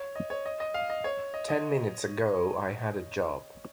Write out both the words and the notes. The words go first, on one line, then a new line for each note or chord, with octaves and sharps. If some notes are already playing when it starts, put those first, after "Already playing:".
Ten minutes ago I had a job.
Already playing: C#5
D#5
C#5
D#5
D#5
F5
D#5
C#5
D#5
D#5